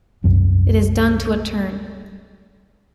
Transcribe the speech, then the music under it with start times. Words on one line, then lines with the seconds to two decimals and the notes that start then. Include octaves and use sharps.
It is done to a turn.
0.24 C2 F#2 C4